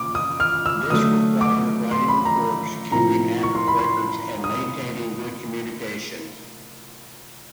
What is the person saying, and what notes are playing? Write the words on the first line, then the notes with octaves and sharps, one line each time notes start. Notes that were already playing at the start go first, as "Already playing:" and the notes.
This requires writing reports, keeping accurate records, and maintaining good communication.
Already playing: A#2 D6
D#6
F6
E6
D3 F#3 A3 D#6
D6
C6
B5
A#5
A2 F3 A#3 A#5
C#6
C6
B5
C6
D#6